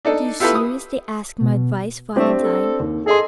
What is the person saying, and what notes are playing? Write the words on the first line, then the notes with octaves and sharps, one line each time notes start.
"Do you seriously ask my advice, Valentine?"
D4 D#4 A4
E4 F4 G4 A4 B4 B5
D#6
B2
A3 C4 D4 G4
A4
D#2
G#4 A4 D#5 C6